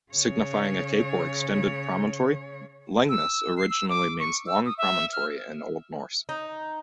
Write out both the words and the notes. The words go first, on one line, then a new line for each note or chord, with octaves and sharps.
Signifying a cape or extended promontory, "Langness" literally means "long promontory" in Old Norse.
C#3 C#5
E6
C7
E6
D6
C#6
E6
D#6
E5
F6
D#4